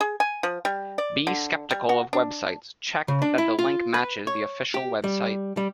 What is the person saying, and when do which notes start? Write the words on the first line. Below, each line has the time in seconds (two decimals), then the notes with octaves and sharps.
Be skeptical of websites, check that the link matches the official website.
0.01 G#4
0.20 G#5
0.43 F3
0.65 G3
0.98 D5
1.27 D3
1.71 G3
1.89 F#4
2.13 D4
3.08 C#3
3.22 D4
3.38 E4
3.59 F4
3.94 B4
4.27 C#5
4.74 G4
5.04 G3
5.57 G3